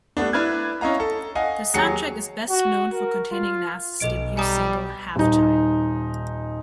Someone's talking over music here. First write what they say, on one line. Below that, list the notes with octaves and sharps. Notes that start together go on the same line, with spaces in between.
The soundtrack is best known for containing Nas's debut single "Halftime".
G3 A3 B3 D4
D4 E4 B4 D5 F6 G#6
C#4 E4 D#5 F5 A#5
A4
D#5 F5 F#5 G#5
D#2 F#3 G#4 C#7
F#4
A#4
F4
B1 A4 D#5 D7
G3 G#5 A#5 D#6
D#1 D#4